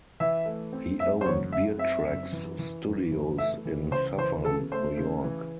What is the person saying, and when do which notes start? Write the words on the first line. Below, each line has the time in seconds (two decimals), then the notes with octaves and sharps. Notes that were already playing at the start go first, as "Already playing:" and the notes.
He owned BearTracks Studios in Suffern, New York.
0.20 E3 E5
0.46 A3
0.73 C4
1.00 F#2 E5
1.21 C5
1.25 F#2 C#5
1.52 F#2 E5
1.78 C4 E5
2.06 F#2
2.32 E3
2.59 E3
2.85 F#2
3.12 E3
3.38 A3 E5
3.65 E3
3.91 C#2 C5
4.18 E3 C5
4.45 C#3 A4
4.72 A3 C5
4.97 C#3
5.24 E3